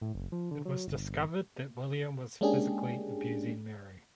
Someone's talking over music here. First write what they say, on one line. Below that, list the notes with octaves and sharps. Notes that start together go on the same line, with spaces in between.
It was discovered that William was physically abusing Mary.
A2
F#1
F3
D3
F#3
G1
G#3 A#3 C#4 D4 G4 G#4